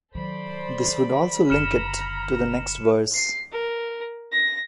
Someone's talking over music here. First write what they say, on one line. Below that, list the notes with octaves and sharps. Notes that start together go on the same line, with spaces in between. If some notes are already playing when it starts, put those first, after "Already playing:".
This would also link it to the next verse.
D#3 F#3 A4 C5 D5 B5
F#1 D3 A#5 F6 C#7 E7
C7
A#4
A#6